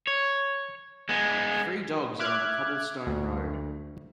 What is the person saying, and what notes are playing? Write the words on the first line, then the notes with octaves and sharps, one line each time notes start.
Three dogs are on a cobblestone road.
C#5
G#3 B3
E5 D6 F6 F#6 G#6
D2